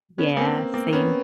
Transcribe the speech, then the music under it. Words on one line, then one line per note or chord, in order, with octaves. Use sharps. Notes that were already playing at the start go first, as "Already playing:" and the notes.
Yeah, same.
B3 C#4
A#3 C4
A#3 C4
B3 C#4